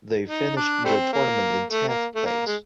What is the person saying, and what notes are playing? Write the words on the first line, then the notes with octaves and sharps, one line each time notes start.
They finished the tournament in tenth place.
D#4
D4
G3 A3 C4
A#3
A3
A#3
A3
A#3
G#3